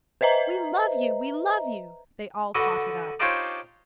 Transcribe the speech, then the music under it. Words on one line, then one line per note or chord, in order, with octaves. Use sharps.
"We love you, we love you!" they all caught it up.
B4 C5 D#5 E5 A#5
D3 F#4 B4 D#5
D4 D#4 F4 G4 C5 C#5